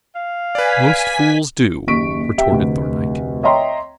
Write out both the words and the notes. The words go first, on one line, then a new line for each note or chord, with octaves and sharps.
"Most fools do," retorted Thorndyke.
F5
B4 D5 G#5 B6
F#1 D#2 C#6 B6 D7
G4 E5 G5
F1 D2
C#5 D#5 E5 G5 A#5 C6